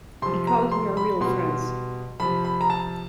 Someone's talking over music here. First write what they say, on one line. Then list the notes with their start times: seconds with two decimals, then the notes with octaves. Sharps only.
Because we are real friends.
0.22 C3 F3 C6
0.47 A#5
0.71 C6
0.97 B5
1.21 B2 G3 C6
2.20 C3 F3 B5
2.45 B5
2.61 A#5
2.70 A5